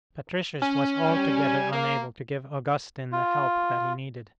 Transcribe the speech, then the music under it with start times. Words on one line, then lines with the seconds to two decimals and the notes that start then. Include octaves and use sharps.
Patricius was altogether unable to give Augustine the help that he needed.
0.62 C#4
1.06 G3 G#5
1.72 A#3
3.12 F4